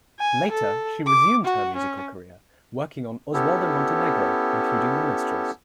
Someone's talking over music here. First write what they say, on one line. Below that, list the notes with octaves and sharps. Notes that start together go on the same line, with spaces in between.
Later, she resumed her musical career working on Oswaldo Montenegro, including The Minstrels.
G#5
A4
D6
F#4
C#4
B3 C#4 E4 G4 A4